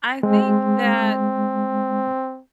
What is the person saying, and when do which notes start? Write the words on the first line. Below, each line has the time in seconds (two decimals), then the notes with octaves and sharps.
I think that
0.23 G#3 C4